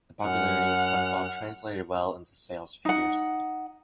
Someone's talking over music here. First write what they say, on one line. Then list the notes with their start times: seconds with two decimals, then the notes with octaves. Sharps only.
The popularity of SpongeBob translated well into sales figures.
0.24 F#2 F#5 F6
2.85 D#4 F#5